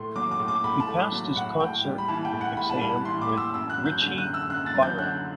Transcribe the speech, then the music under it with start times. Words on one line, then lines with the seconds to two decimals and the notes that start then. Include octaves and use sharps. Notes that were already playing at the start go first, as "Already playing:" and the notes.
He passed his concert exam with Richie Beirach.
Already playing: A2 A3 C6
0.16 F#3 D6
0.31 D6
0.40 A2
0.48 D6
0.64 A2 B5
0.80 A5
0.88 A3
1.12 F#3
1.36 A2 F#5
1.60 A2 G5
1.85 G3
1.98 B5
2.08 E3 A5
2.25 G5
2.33 A2
2.41 F#5
2.57 A2 B5
2.70 A5
2.81 G3 B5
3.05 E3 C6
3.21 D6
3.30 A2
3.37 E6
3.53 F#2 E6
3.70 F#6
3.78 F#3
3.86 G6
4.02 D3 G6
4.18 F#6
4.26 F#2
4.34 E6
4.50 F#2 F#6
4.66 A6
4.75 F#3
4.82 G6
4.98 D3 F#6